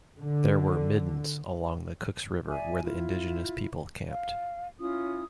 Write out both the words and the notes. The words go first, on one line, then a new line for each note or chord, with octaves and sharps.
There were middens along the Cooks River where the indigenous people camped.
D3
D5 E5 G#5 A#5
E4 F4
F5
C#4 E4 F4 D#6